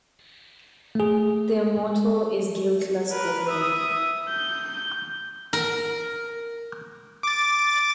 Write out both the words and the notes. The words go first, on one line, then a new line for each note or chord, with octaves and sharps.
Their motto is Guiltless Gourmet.
A3 G#4
A#4 B4
E5 D#6
G6
A#4
D6 A6